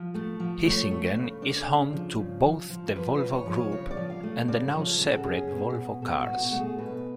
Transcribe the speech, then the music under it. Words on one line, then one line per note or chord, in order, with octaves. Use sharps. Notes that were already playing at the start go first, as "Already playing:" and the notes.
Hisingen is home to both the Volvo Group and the now separate Volvo Cars.
Already playing: F3
A3
F3
A3 C#5
A3
C#3
D4 D5
C#3
F3
C#3
F3
F3
F3 B4
B4
C#3
C#5
F3
C#5
C#3 C#5
D5
F3
F5
A3
C#3 D5
C#5
F3
A4
C#3
F#4
A4
C#4 G#4
B2
B2
B2 A4
F#4
B2
F#4
A3
G#4
B2 B4